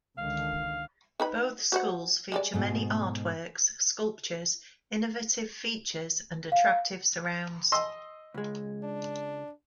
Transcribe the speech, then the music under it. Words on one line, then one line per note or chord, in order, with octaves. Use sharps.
Both schools feature many artworks, sculptures, innovative features and attractive surrounds.
C#2 D3 D#3 F5
D#4 B4 B5
F#4 C5 F#5
G3 G#3 D5
G#2 B2 A4
F5
D#5 C6 E6
C#2 G#3
D4